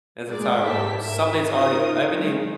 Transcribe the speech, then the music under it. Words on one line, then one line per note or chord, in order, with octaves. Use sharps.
in this entire world. Something's already everything
G#3 A#3 G#4 D5
G#2 E4 G4 A5 B6
A#4 E5
D#4 F4 A#4 C5 D#6
D#3 F#3 G#3